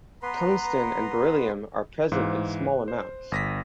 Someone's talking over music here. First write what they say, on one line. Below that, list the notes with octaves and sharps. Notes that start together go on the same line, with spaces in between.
Tungsten and beryllium are present in small amounts.
B3 B4 A#5 C6
G#2 E3 C5 F5 F#6
C5
G1 A#6 B6